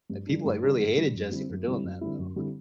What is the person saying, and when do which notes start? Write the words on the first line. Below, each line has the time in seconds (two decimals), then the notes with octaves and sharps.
like, people, uh, really hated Jesse for doing that, though.
0.10 G2
0.26 D3 G3 D4
0.45 G2
0.62 D3 G3 D4
0.80 G2
0.96 D3 G3 D4
1.15 F#2
1.31 D3 G3 C4 E4
1.49 F#2
1.66 D3 G3 C4 E4
1.83 F#2
2.01 D3 G3 C4 E4
2.18 F#2
2.36 D3 G3 C4 E4